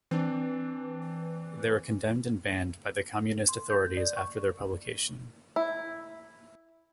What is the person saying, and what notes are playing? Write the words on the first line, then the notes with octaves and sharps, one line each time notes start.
They were condemned and banned by the Communist authorities after their publication.
E3 C4 D4
C6
G6
D5
C#6
E4